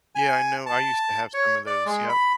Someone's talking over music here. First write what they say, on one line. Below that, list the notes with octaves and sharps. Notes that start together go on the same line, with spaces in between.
Yeah, I know, I used to have some of those, yup.
G#5
A5
C#5
D5
G#3
B5